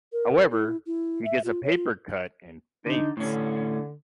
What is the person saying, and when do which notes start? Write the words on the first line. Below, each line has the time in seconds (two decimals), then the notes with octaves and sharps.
However, he gets a paper cut and faints.
0.13 A#4
0.51 E4
0.87 E4
1.25 E5
1.44 F4
1.64 C#5
1.75 F4
2.86 D3 D#4
3.17 A2 D3 C#4